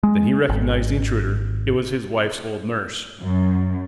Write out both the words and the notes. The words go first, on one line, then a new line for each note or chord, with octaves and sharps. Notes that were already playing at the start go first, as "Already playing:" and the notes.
Then he recognised the intruder, it was his wife's old nurse.
G#3
G#1
F#2